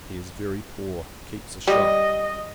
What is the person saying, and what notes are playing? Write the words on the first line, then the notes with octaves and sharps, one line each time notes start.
He is very poor; keeps a shop.
G3 D#5